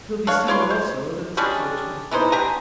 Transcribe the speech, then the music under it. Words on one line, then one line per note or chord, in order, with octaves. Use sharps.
It will be seen also that the situation was novel.
D4 C#5 F5
E3 C#5 D5 C6
C5
G3 G#3 C#4 D4
E3 G#3 D#4 C5
D4 G4 G#5 A#5